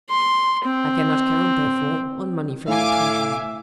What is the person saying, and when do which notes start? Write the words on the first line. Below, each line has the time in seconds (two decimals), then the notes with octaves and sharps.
"I cannot count, therefore, on money from the treasury."
0.10 C6
0.65 C4
2.68 A2 E5 F5 G#5 D6